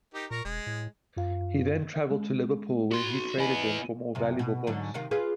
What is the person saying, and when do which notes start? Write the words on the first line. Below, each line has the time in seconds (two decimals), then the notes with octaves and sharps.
He then traveled to Liverpool where he traded them for more valuable books.
0.14 D#4 G4 A#4
0.31 A#2 A#4 A#5 C#6
0.45 E1 G#3
0.67 A2
1.17 F#2 F4 F5
2.11 G#3
2.92 F#4 C6
3.38 B3 E4 D#5 G#5
4.15 F#2 C3
4.39 B2
4.67 G#2 D3 F#3
4.94 C3 D#3 F4
5.11 F4 G#4 B4